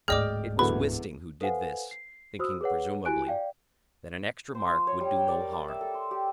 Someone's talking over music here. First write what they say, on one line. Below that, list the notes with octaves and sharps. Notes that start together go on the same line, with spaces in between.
It was Wisting who did this, thinking, presumably, that an extra mark would do no harm.
D1 G#2 G#4 D5 D#5 G5 D6 F6
E2 D3 F#3 B4 B5
A4 B4 C5 F5 F#5 G#5
C7
F#4 C5 D#6 E6
G#4 B4 C#5 F#5
E4 F#4 G4 G#5 F#6 D7
D5 F5 G5
C5
F3
C#5
G3
G5
D5
A#4
D6
E5
A4
C6
G4